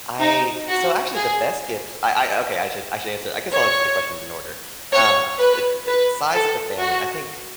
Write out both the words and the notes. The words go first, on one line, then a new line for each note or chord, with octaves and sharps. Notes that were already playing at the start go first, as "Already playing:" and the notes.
I so actually the best gift, I I okay, I should I should answer I guess I'll answer the questions in order. Um, eh eh, size of the family, I think,
D#4
F#4
G#4
C#5
C#5
B4
B4
A4
F#4